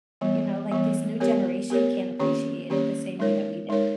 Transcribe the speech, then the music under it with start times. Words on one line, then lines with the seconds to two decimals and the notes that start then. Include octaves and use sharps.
you know, like, this new generation can't appreciate it the same way that we did.
0.21 E3 G3 B3
0.71 E3 G3 B3
1.20 B3 G4 A#4 C#5
1.70 B3 G4 A#4 C#5
2.19 D#3 A#3 C#4 G4 C#5
2.70 D#3 A#3 C#4 G4 C#5
3.19 G#3 D#4 A#4 C#5
3.69 G#3 D#4 A#4 C#5